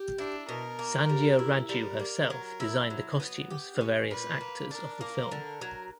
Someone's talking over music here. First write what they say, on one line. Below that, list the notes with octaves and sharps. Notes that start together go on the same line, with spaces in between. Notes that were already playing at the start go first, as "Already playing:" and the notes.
Sandhya Raju herself designed the costumes for various actors of the film.
Already playing: G4
D4 E4
B2 A#4
A#3
G3
E4
G3 A#4
A#3
F#3
E4
F#3
B3
G4
C#4
A#2 B4
A#3
D4 A#4
A#3
D3
F#3